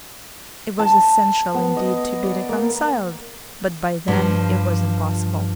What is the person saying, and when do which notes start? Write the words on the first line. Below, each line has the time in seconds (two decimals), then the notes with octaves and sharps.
It was essential, indeed, to be reconciled, but by then it was impossible.
0.79 A5
1.55 B3
1.77 D#5
2.23 D5
2.49 A#3
4.08 G2 F3